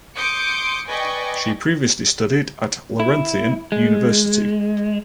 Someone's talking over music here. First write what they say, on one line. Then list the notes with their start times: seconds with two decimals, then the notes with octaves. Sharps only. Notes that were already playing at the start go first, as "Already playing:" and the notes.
She previously studied at Laurentian University.
0.15 C6 D6 D#6 G6 C#7 D7
0.87 B4 D5 D#5 G5 G#5 C#6
3.00 E4
3.72 G#3